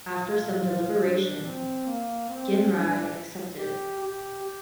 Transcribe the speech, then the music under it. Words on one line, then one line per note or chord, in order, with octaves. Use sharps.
After some deliberation, Ginrai accepted.
F4
F4
D4
C4
A#3
C4
C4
D4
G4
G4
G4